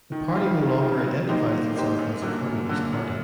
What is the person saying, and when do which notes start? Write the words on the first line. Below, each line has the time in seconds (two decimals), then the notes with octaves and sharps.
The party no longer identifies itself as a communist party.
0.12 D#3
0.35 G3 C4 F4
0.59 D#3
0.81 G3 C4 F4
1.05 F#3
1.29 A#3 D#4 G4 C5
1.52 F#3
1.76 A#3 D#4 G4 C5
1.99 F#2
2.22 D3 F#3 A#3
2.45 F#2
2.69 D3 F#3 A#3
2.93 F#2